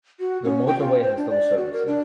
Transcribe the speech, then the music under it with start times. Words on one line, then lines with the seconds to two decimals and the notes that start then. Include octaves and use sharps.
The motorway has no services.
0.19 F#4
0.44 C#4
0.67 G5
0.79 F4
1.01 C5
1.16 D4
1.30 D5
1.57 F#4
1.73 A#4
1.87 D4